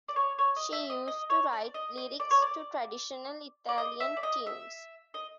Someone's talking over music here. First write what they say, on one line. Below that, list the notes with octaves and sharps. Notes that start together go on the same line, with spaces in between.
She used to write lyrics to traditional Italian tunes.
D5
C#5
C#5
D#5
E5
D#5
D#5
C#5
D5
D#5
D#5
D5
C#5
D5
D5
D#5
E5
D5
D#5
E5
D#5